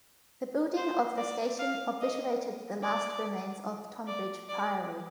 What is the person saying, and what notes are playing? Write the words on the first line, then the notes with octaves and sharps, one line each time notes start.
The building of the station obliterated the last remains of Tonbridge Priory.
C5
D5
F5
D#5
D5
D5
D5